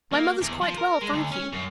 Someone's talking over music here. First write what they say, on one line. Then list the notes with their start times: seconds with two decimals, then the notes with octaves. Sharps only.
My mother's quite well, thank you.
0.13 A#3
0.42 E2
0.61 F3
0.78 A#4
1.01 G#3
1.13 D2
1.31 C#4
1.53 F#2